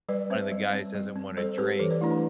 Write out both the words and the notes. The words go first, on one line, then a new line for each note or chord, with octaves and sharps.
one of the guys doesn't wanna drink,
G3 B4 D5
C4 C5 E5
G3
C4
G3
C4
G3 A4 C5
C4 G4 B4
E3 A4 C5
B4 D5
A3 D4 E4
D4